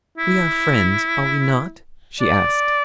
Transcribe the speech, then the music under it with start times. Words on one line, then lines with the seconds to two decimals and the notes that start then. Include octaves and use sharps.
"We are friends; are we not?" she asked.
0.17 E4
2.20 D5